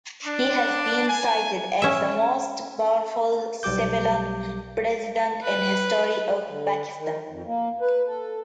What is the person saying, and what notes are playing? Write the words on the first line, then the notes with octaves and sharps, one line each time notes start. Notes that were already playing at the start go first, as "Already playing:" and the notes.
He has been cited as the most powerful civilian president in history of Pakistan.
D4
G#5
C#4 E5
B1 G3 G4 D6 G6
B4
D3
D#3
F2
A#3
B4
A4